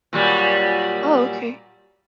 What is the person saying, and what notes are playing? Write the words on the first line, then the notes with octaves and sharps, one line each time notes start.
Oh, okay.
A#2 F#3 G3